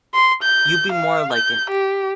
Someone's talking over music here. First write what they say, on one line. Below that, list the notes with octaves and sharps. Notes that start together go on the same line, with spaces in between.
you'll be more like an e
C6
G6
F5
G6
G4